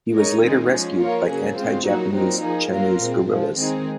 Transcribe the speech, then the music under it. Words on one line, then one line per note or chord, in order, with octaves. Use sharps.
He was later rescued by anti-Japanese Chinese guerrillas.
G#3 D#4 A#4 C#5
D#3 G#3 C4 D#4
F3 G#3 C#4
F3 A#3 F4 A#4 C#5
C#3 F#3 A#3 C#4 G#4
C#3 G#3 C4 F4 C5
A#2 F#3 A#3 D#4 F#4
A#2 F#3 C4 D#4 A#4
F3 A#3 D#4 G#4
F#3 A#3 F4 A#4
A#2 G#3 C4
A#2 F3 G#3
D#3 G#3 C4 D#4 G#4